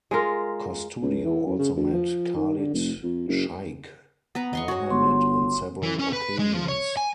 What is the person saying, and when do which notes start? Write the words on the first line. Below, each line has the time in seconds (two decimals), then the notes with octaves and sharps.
Costudio also met Khalid Shaikh Mohammed on several occasions.
0.11 G#3 F4 A#4
1.02 C#2
1.25 E3
1.46 F#2
1.59 C#3
1.76 D2
1.93 F3
2.36 D#3
2.58 D3
2.74 F1
3.03 F2
3.28 F#1
4.35 B3 B4 A#5
4.53 D#5 C6 C#6
4.68 F#4 C#5 C#6
4.90 G1 C6
5.83 E3
5.99 C#4
6.13 B4
6.39 G#3
6.54 F3
6.69 C#5
6.97 G#5